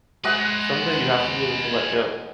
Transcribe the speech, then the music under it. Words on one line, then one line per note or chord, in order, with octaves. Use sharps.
Someday you have to be able to let go.
G#3 G#4 B4 D#5 F#5